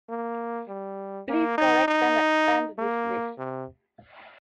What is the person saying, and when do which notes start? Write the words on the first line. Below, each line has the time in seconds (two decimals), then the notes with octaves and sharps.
Please correct and expand this list.
0.09 A#3
0.68 G3
1.28 A#3
1.58 D#4
1.88 D#4
2.78 A#3
3.38 C3